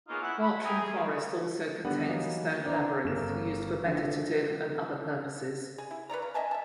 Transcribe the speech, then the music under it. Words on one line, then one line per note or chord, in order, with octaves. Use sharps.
Bartram Forest also contains a stone labyrinth, used for meditative and other purposes.
A#3 B3 C#4 D#4 F4 G#4
E4 F#5
B5
E5 G5 G#5 A#5 B5 D#6
G#4
D#3
D3 G3 B3 F#5
E3 F#3 A#3 D#4
D4 C5 D5 A#5
G1 C#3 A3 A#4 E7
D3 D#3 F3
G#4
E4
B4 C#5 D5 A#5
C#3
D#5 E5 G#5 A5
E5 A5